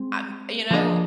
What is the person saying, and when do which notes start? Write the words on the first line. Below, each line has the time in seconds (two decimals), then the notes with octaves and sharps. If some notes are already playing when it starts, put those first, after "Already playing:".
I'm you know
Already playing: G#3 C4
0.71 F3 A#3 D4 G#4 D#5